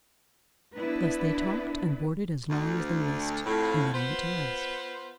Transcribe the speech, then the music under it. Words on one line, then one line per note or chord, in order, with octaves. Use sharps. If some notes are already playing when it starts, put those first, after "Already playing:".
Thus they talked and bourded as long as them list, and then went to rest.
B3 D4 E4 B4
D2
F2 A2
B3 F4 B4 C5